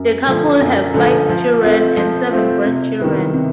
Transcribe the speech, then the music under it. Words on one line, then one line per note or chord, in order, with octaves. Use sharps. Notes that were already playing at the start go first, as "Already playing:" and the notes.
The couple have five children and seven grandchildren.
Already playing: F#2
D3 F3 A3
F#2
D3 F3 A3
F3
A3 C4 F4
F3
A3 C4 F4
C3
D#3 G3 B3 E4
C3